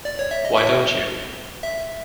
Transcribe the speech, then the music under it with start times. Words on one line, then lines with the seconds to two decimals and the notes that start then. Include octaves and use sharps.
Why don't you?
0.05 D5
0.19 C#5
0.31 E5
0.45 D#5
0.58 E5
1.63 E5